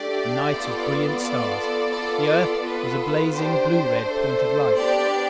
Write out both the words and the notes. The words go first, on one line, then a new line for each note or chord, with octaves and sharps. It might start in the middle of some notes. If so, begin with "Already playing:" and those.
A night of brilliant stars; the Earth was a blazing blue-red point of light.
Already playing: A3 D4 G4 D5
B3 F4 A4
B3 F4 A4 D5
B3 F4 A4 D5
B3 F4 A4 B4
D4 G4 C5
A3 D4 A4
B3 D4 G4 D5